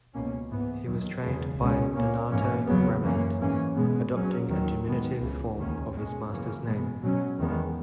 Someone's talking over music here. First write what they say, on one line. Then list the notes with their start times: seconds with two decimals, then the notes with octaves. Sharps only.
He was trained by Donato Bramante, adopting a diminutive form of his master's name.
0.14 C#2 B2 A#3 C#4
0.50 G#2 E3 B3
0.86 D#2 D#3 F#3
1.23 E2 C#3 G#3
1.59 C#2 B2 G#3 C#4
1.94 A#2 A#3 C#4
2.31 G#2 E3 A#3 C#4
2.67 E2 C#3 F#3 B3
3.03 F#2 E3 A#3 C#4
3.40 G#2 E3 A#3 C#4
3.77 B2 G#3 B3
4.12 A#2 F#3 C#4
4.49 D#2 D#3 F#3
4.85 G#2 D#3 G#3 B3
5.21 C#2 C#3 E3
5.57 D#2 D#3 A#3 C#4
5.94 B2 G#3 C#4
6.30 F#2 C#3 E3 A#3 C#4
6.66 B2 G#3 B3
7.02 B2 F#3 C#4
7.40 E2 D#3 G#3 B3